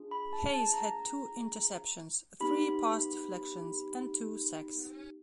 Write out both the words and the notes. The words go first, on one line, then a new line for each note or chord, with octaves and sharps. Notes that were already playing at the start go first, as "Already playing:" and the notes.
Hayes had two interceptions, three pass deflections, and two sacks.
Already playing: D4 F4 G#4
B5
A5
A5
A#5
B3 D#4 G4 B5